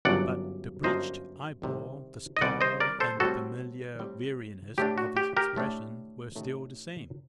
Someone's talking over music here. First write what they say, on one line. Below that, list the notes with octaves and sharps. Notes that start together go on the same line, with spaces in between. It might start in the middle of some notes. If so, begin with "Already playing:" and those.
But the bleached eyeball, the scar, and the familiar weariness of his expression were still the same.
G1 F#2 F#3 A#3 D4 D5 F#5
G1 F#2 F#3 A#3 D4 C5 D#5
C2 C3 D#3 G3
D#5
C2 C3 D#3 G3 D5 F#5
C5 D#5
A#4 D5
A4 C5
A2 G3 C4 F#4 A4
A2 G3 C4
A2 A3 D4 G4
F#4
G4
G4 A#4
A2 A3 D4
A1 A2 A3 D#4